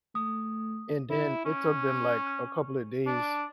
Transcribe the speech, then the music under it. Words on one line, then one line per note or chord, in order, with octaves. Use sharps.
And then it took them like a couple of days
A3 D#6
E4
C#4
D4